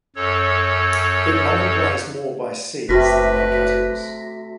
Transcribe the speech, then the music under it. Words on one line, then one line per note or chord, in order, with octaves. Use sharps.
It multiplies more by seeds than by cuttings.
F#2 A4 C#5
F#1 C3 A3 F#4 G4 B4 A#6 B6